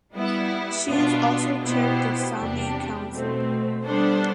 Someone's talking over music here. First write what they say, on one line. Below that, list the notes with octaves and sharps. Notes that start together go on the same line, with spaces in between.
She has also chaired the Saami Council.
G3 B3 E4
B2 B3 D4 F4
B2 B3 E4 G4 C5
E2 C3 G3 D4 G4
B2 A3 C4
G3 B3 D4 A4 C5